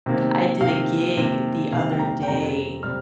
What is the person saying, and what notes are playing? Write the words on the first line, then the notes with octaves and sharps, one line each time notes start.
I did a gig the other day
C3 D#3 A#3
C3 D#3 A#3 F5
C3 D#3 A#3
C3 D#3 A#3 F5
G5
A#5
G5
F2 C3 G3 A#5
C3 G3 F6